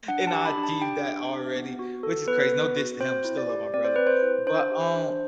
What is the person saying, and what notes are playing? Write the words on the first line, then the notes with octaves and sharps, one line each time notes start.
and I achieved that already, which is crazy. No diss to him, still love my brother. But, um,
D4 F#5
A5
G4
B5
D4
A5
G4 G5
D4
G4
B3
F#4
A4
B3 B4
B3
F#4
C4 C5
E4
D5
G4
C4 D5
C5
C4 B4
C5
E4
D4 C5
G4
D4